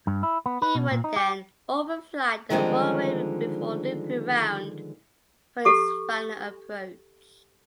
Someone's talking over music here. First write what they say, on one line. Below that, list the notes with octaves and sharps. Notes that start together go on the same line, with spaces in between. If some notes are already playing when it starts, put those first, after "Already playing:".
He would then overfly the runway before looping round for his final approach.
G2
E4
B3
B4
B2
A#2
D#4
G4
D3 D#3 F3 G3 G#3 C4
G4 A4 C#6